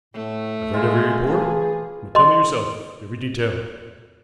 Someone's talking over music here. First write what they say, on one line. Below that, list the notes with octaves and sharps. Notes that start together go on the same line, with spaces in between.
"I've read every report, but tell me yourself--every detail."
A2 A3
G#3 F4 G#4 G#5
E3 F3 G#4
D#5 C6